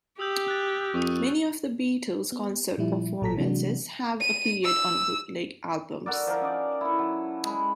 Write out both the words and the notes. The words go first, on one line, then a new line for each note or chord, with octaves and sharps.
Many of The Beatles' concert performances have appeared on bootleg albums.
G4 D#6 E6 G6
F#6 A6
F2 C#6 D#6
B3
A#2 F3 G3 E4
A1 A#2 F#3 A4 A#5 B6
C3 E3 F#3 G#3 D4 F#4
D#7
E6
F#4 A4 A#4 D5
F3 A#4
C#4 D#4 D5
E4 A4
F#3
G#3 B5